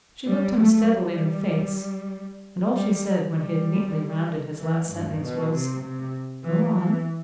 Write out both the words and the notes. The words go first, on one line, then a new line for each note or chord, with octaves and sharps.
She looked him steadily in the face; and all she said, when he had neatly rounded his last sentence, was--"Go on."
G3
A3
G3
G3
G3
E3
G2
B2
C3
C3
E3
E3